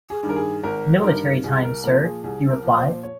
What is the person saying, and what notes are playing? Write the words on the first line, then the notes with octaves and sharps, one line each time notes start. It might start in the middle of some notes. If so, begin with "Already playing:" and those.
"Military time, sir," he replied.
G#4
G2 D#3
A#4
G#4
G#1 A#4
G2 D#3 A#4
C2 G#4
A#4
A#2 F3 A#4
G#4
C2 G#4
A#4
A#2 F3
C5
C#5